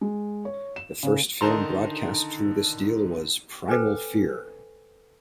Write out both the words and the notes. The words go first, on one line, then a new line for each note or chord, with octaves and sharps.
The first film broadcast through this deal was "Primal Fear".
G#3
C#5
E7
C#3
D3 D#3 D#4 A5 A#5 C6
A4 B4 C5 G5 G#5